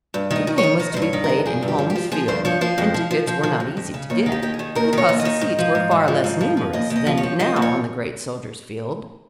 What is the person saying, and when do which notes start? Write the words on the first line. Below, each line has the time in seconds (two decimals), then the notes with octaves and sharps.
The game was to be played in Holmes' Field, and tickets were not easy to get, because the seats were far less numerous than now on the great Soldiers' Field.
0.14 G2
0.31 D#3
0.36 D#5
0.47 D#3
0.58 C#5
0.63 D#3
0.80 D#3 D#5
0.94 C5
0.97 G2
1.02 C#5
1.13 D#3
1.24 A#4
1.29 G2
1.45 F3 G#4
1.63 G2
1.68 G4
1.79 F3
1.90 G4
1.96 F3
2.12 F3 G#4
2.28 G2 C5
2.45 F3 C#5
2.61 F3 C5
2.78 F2
2.94 F3
3.11 F3
3.27 F3
3.43 F3
3.60 F2
3.77 F2
3.94 C#3
4.10 D#2 C#5
4.26 D#3
4.32 G4
4.42 D#2 G4
4.54 G#4
4.59 D#3
4.75 D#2 A#4
4.93 D#3 C#5
5.09 D#2
5.19 D#5
5.25 D#3
5.41 G#2
5.59 F3
5.75 G#2
5.91 G#2
6.08 F3
6.24 G#2
6.41 F3
6.57 F3
6.73 D#2 D#5
6.90 D#2
6.96 D#5
7.07 F3
7.17 C#5
7.23 F3
7.40 F3 D#5
7.56 D#2
7.62 C#5